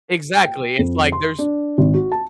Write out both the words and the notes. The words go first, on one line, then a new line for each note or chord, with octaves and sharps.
Exactly, it's, like, there's
G5
F2
C6
D4
G#1
F#4
A5